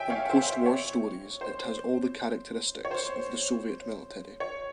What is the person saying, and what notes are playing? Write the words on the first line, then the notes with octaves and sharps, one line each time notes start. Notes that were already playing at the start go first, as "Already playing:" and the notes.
In post-war stories it has all the characteristics of the Soviet military.
Already playing: C#5 E5 G5 G#5
C#5 F5
C5 E5
C5
C#5
C5
C#5
C5
C#5